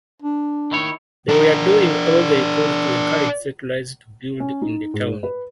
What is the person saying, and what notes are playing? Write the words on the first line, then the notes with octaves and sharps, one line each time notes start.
They were doing all they could to encourage settlers to build in the town.
D4
D#3 E4 C#5
D4 A#4
C#4
D#4
G#2
B4